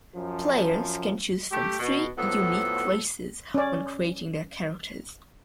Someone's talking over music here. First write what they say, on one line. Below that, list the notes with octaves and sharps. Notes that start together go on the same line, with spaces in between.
Players can choose from three unique races when creating their characters.
F#2 F3
A3 G4
B2
A2 F3 F#3 B3 A4
C#4 D5